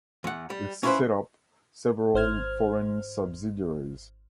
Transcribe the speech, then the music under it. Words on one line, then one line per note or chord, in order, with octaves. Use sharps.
It set up several foreign subsidiaries.
E2 F#5
G3
C#4 E4 F4 A4 B4 C5
G#1 C5 F6 G#6